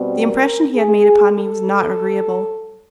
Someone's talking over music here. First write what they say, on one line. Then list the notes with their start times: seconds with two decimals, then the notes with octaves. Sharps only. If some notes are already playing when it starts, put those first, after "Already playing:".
The impression he had made upon me was not agreeable.
Already playing: B2 G3 C4
0.19 A#4
0.76 G#4
1.30 A4